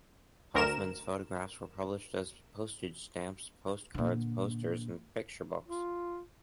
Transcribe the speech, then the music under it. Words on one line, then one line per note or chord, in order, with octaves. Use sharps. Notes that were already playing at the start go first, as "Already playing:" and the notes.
Hoffmann's photographs were published as postage stamps, postcards, posters and picture books.
D2 A#4 E7
A#2 D3
F4